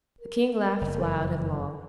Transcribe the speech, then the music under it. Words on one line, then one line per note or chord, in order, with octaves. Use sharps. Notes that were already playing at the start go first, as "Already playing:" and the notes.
The king laughed loud and long.
A#4
F#1 F2